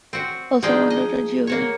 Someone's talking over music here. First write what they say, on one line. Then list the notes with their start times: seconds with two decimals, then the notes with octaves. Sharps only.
Also one daughter, Giovani.
0.13 C4 F#4
0.63 F3 G#3 D4 D#4 G#4 G5
0.90 D#5
1.47 A#3 F#4 C#5